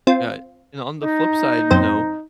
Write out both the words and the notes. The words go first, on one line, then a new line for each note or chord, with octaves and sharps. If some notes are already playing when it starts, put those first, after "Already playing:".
Yeah, and on the flip side, you know,
C4 F4
D#4
F#2 C4 C5